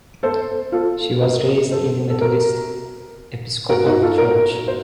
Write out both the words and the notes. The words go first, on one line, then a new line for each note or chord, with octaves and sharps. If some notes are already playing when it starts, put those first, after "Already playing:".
She was raised in the Methodist Episcopal Church.
A4 C5
F4 A4
F#4 A#4
A4 C5
A4
F#4 A#4
F#4 A#4
D#4 F#4
F4 A4
F#4 A#4
C5